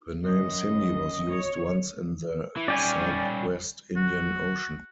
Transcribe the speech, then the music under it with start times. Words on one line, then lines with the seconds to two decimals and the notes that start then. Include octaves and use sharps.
The name Cindy was used once in the Southwest Indian Ocean.
0.25 F#2 D#5
1.30 C#5
2.57 E3
2.68 G3 C#4 D5 G5 G#5
3.97 F#4